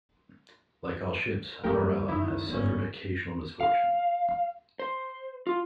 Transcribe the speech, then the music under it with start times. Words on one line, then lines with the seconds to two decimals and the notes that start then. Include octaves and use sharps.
Like all ships, "Amorella" has suffered occasional misfortune.
1.64 G2 G3 A3 A#3 G4 A#4
2.09 F#2 D#3 E4
2.48 G1 G#2 A#3 C#4
3.61 F5
4.79 C5
5.47 F4